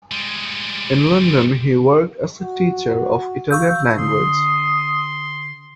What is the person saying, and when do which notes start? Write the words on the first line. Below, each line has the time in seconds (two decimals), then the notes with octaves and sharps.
In London he worked as a teacher of Italian language.
0.12 G3 G#3
2.42 F#4
3.51 F5 C#6 E6 G6
3.98 D3 C6 D#6